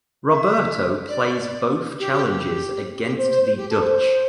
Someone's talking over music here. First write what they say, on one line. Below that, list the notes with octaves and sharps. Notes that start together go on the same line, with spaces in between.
Roberto plays both challenges against the Dutch.
E5
D5
G4
G4
G4
G4
C5
C5
C5
G4
A4
C5